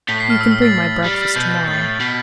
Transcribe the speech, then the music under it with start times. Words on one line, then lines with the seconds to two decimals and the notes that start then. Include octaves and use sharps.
"You can bring my breakfast to-morrow."
0.08 A2 B6
0.20 C7
0.30 F6
0.41 E6
0.51 E6
0.62 A6
1.05 G3
1.36 B2 G6
1.51 G6
1.67 A2 A6
2.00 B2 B6